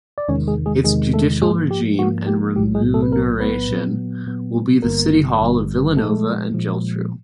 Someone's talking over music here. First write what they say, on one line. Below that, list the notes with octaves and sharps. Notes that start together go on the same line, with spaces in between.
Its judicial regime and remuneration will be the City hall of Vilanova and Geltrú.
D5
E2 C3 D#3 G#3 C#4 C#5
G#3 G#4
G#3 G#4
E2 C3 D#3 G#3 G#4
A3 A4
G#2 F3 G#3 A#3 G#4
G4
G#2 F3 A#3 F#4
G4
B1 A2 F#3 G4
G#3 G#4
A3 A4
B4
B1 A2 F#3 A#3 A#4
B3 B4
A#2 F#3 B3
A#2 F#3 B3
G#1 G2 D3 G3 A#3 B3 A#4
G#1 G2 D3 G3 B3
A#2 F3 G#3 A3 A4
A#2 F3 G#3